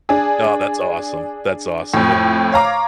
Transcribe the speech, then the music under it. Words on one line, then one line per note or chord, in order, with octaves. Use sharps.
Oh, that's awesome, that's awesome, but
D4 G#4
F2 A2
C#5 F5 A#5 D6